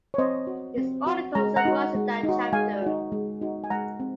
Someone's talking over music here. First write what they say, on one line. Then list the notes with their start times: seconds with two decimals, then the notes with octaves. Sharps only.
This article summarizes that chapter.
0.14 C#5
0.18 C4 C5 D#5
0.47 F#4
0.78 C4
1.07 F#4
1.35 G#3 A#5
1.56 F#5 A#5
1.65 D#4 F#4
1.95 G#3
2.23 D#4
2.29 F#4
2.53 G#3 F5 G#5
2.82 D#4 F#4
3.12 G#3
3.42 D#4 F#4
3.64 G#5
3.70 G#3 F#5 A#5
4.00 C4